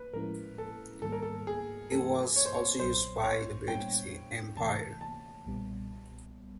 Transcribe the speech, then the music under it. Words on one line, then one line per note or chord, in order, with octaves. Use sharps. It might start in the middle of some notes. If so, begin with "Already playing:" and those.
It was also used by the British Empire.
Already playing: B4
A2 F3 G#3 C#4 E4 A#4
A4
G#2 D#3 G3 A#3 A4
A#4
A4
G#4
G2 E3 A3 C4 A4
C#5
C5
C#5
B1 A#2 F#3 B3 C5
C#5
A#2 G3 B3 D4 G5
D2 C3 E3 A3 A5
A5
B1 A#2 G3 B3